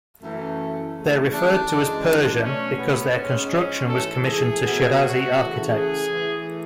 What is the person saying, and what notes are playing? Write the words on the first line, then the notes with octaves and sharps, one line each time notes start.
They are referred to as "Persian" because their construction was commissioned to Shirazi architects.
F#2 E3 A3
C#3 E3 A3
D4
F#2 E3 G#3
B2 A3 C#4
B3
G#2 G#3 C#4
C#4
G#2 E3 A3 A4
G#4
B2 F#3 A3
F#4
C#3 E3 A3
G#4
A2 E3 A3